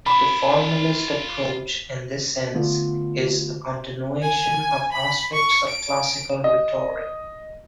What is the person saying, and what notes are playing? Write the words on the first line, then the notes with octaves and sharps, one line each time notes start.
The formalist approach, in this sense, is a continuation of aspects of classical rhetoric.
F4 E5 B5
D3 A3 B3 F4
G#5
B5
C#6
D7
D#5